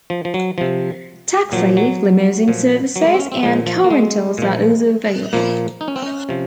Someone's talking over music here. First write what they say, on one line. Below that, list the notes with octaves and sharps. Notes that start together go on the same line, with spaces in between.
Taxi, limousine services, and car rentals are also available.
F3
F3
F#3
C3 F3
A#2 F3 F#3
F#3
A#2 F3
F#3
A#3
G#3
C4
C#4
C4
A#2 F3 G#3
F3
A#3
G#3
A#2 F3
A#2 F3 A#3
D#4
C#4
C4
C#4
C3 F3